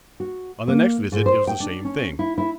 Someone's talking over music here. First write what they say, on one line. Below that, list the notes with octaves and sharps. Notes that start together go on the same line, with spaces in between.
On the next visit it was the same thing.
F#4
A#3
G#2
C5
G5
D4
C#4
E4
E4